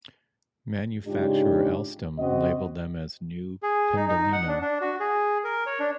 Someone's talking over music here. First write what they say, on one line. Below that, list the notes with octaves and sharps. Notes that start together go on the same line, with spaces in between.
Manufacturer Alstom labeled them as "New Pendolino".
G#2 C#3 G#3 D4 F4 G4
C#3 C4 F#4 D#5
G#4
D#4
D#4
F#5
D4
D4
F#4
G#4
A#4
C#5
D4